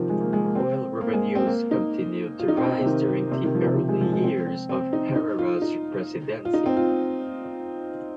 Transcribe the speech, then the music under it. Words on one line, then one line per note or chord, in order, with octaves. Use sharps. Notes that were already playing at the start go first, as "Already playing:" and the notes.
Oil revenues continued to rise during the early years of Herrera's presidency.
Already playing: C3 D#3 F3
G#3
A#3
G#3
A#3
C4
A#3
G#3
C4
A#3
D#4
F4
D#4
C4
D#4
C3
D#3
C3
D#3
F3
C3
D#3
G#3
F3
G#3
C4
C4
C4
D#4
D#4
F4
D#4
F4
D#4
C4
F4